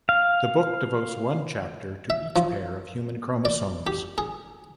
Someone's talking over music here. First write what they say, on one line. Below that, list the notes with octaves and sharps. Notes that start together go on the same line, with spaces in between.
The book devotes one chapter to each pair of human chromosomes.
F5
E5
F3
D5
G4
G#4